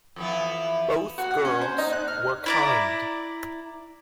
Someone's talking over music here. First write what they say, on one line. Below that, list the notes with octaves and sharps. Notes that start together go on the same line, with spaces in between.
Both girls were kind.
F2 E3 B3
F#4
F#5
C#4
C5
D#4
F#6
F6
E4 D5 A#5